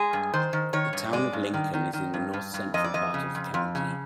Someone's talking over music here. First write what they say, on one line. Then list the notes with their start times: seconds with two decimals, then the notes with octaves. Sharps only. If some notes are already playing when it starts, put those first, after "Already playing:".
The Town of Lincoln is in the north-central part of the county.
Already playing: G#3 G#4
0.13 G2
0.34 D#3 C5
0.53 D#3
0.73 D#3 C#5
0.93 G2
1.13 G#3 D5
1.33 G2
1.54 D#3
1.74 D#3
1.93 D#3
2.14 G2
2.33 G2
2.54 G2
2.74 F2 D#5
2.84 D5
2.94 F2 D#5
3.14 C#3
3.35 F2
3.54 F2
3.75 C#3